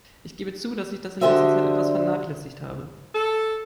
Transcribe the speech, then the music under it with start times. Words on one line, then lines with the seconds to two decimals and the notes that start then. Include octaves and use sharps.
Ich gebe zu, dass ich das in letzter Zeit etwas vernachlässigt habe.
1.21 D3 F#4 G4 C5 D#5 E5
3.14 A4